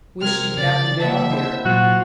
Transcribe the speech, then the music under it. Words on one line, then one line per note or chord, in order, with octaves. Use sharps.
Wish she'd happen down here.
C3 A#4 F6 G#6
C#3 D5 A6
D#2 E5 F#5 A5
E4 C5
A#2 F#3 F4 F#4